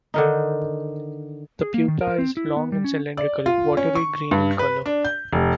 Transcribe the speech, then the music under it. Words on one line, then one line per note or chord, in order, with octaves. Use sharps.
The pupa is long and cylindrical, watery green in colour.
D3 D#3 D#4
G#4
A#3
D#3
A#4
C4
E4
B3
G3
C#4
D5
F4
C#4
C#6
G2
B4
D4
G6
F1